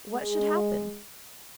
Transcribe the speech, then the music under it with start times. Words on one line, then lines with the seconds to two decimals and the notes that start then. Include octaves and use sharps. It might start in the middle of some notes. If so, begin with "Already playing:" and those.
"What should happen?"
0.12 G#3